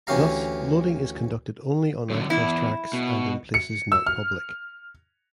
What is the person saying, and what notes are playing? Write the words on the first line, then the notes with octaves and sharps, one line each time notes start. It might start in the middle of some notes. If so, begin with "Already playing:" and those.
Thus loading is conducted only on access tracks and in places not public.
D2 E3 C#4 G4 F5 A#5
F#2 D3
E2 E4
B2
C#7
E6
F6